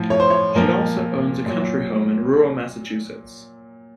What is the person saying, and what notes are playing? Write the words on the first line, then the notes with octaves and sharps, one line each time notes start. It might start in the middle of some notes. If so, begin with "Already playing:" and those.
She also owns a country home in rural Massachusetts.
Already playing: A2 F3
C#5
C5
C#5
A#2 F3 A#4
A#2 F#3